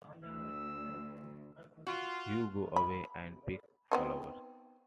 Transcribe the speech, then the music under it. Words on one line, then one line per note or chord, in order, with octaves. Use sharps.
You go away and pick flowers.
D2 E6
F4 F#4
B5
B3 C4 D#4